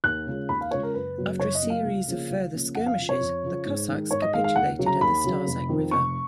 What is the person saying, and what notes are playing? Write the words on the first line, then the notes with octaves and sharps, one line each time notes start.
After a series of further skirmishes the Cossacks capitulated at the Starzec river.
D#2 F#6
C#3 G#3 C#4 F4
D#2 B5
F5
C#3 G#3 C#4 F4 C#5
A#4
F#1 B4
F#2 C#3 F#3 A#3
F#1 C#5
D#5
F#2 C#3 F#3 A#3
F5
C#2
C#3 F3 A#3 C#4
C#2
C#3 F3 A#3 C#4
F2 F#5
F5
C#3 F3
C#5
F2
C#3 F3
G#2
D#3 G#3
G#2 C#5
D#5
D#3 G#3 F5
F5
D#2 F#5
C#3 F#3
A#5
D#2 B5
C#3 F#3
F1
F2 D#3
F1 C#6